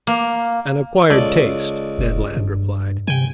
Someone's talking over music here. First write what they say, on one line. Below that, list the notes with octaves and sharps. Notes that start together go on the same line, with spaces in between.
"An acquired taste," Ned Land replied.
A#3
C#2 A4 D5
F1
G2
C3 G5 G#5